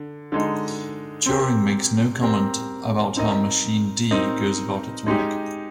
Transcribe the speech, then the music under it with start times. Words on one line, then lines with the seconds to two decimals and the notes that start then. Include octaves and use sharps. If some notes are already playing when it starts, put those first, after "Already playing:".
Turing makes no comment about how machine D goes about its work.
Already playing: D3
0.32 D3 G#3 D#4
1.26 C4 G4 A#4
2.22 C4 G4 A#4
3.16 C4 D#4 A#4 D#5
4.11 C4 D#4 A#4 D#5
5.06 G#3 D#4 G4